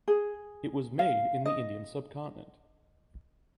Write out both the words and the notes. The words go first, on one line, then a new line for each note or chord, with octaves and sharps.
It was made in the Indian subcontinent.
G#4
F5
D#5